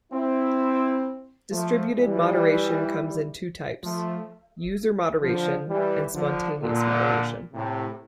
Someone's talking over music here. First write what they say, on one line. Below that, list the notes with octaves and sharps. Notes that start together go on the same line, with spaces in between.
Distributed moderation comes in two types: user moderation and spontaneous moderation.
C4 E4
F3 A3
E3 G3
F3 A3
D3 F3
E3 G3
D3 F3
A#2 D3
A2 C3